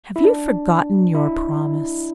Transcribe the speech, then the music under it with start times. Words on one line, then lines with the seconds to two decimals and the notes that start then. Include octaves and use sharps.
Have you forgotten your promise?
0.16 E4
0.24 D4
1.15 E4